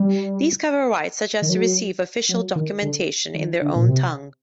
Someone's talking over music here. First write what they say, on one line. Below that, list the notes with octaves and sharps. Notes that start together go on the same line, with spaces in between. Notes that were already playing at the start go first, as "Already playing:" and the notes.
These cover rights such as to receive official documentation in their own tongue.
Already playing: G3
D#3
F#3
F#3
D#3
D3
D#3
D3
A#2
C3